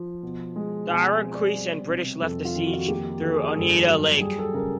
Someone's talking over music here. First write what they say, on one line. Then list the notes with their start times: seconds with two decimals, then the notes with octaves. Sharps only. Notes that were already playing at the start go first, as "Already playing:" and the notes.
The Iroquois and British left the siege through Oneida Lake.
Already playing: F3
0.23 B2
0.56 G#3
0.89 B2 G#5
1.22 C4
1.34 D5
1.56 G3
1.89 C3
2.22 F2 A4
2.45 F4
2.55 D#3
2.67 F#4
2.79 F#4
2.88 A#3 G4
3.22 D#3 A4
3.33 G#4
3.56 G2 A4
3.88 F#3
4.21 G3 G#4
4.39 A4
4.54 C#3 A#4